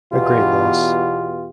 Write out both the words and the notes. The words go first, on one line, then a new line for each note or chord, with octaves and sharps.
A great loss.
E2 B2 E3 F4 G4